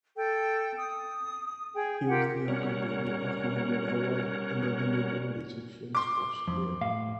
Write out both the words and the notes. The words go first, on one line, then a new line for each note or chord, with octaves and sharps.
He was the younger brother of Mohammed Awad another notable Egyptian squash player.
A4 G5
D#6
G#4 G5
F4 G4 A#4 F#5
G3 C#4 A#4 C#5 F#5
C6 D6
F2
A2 F5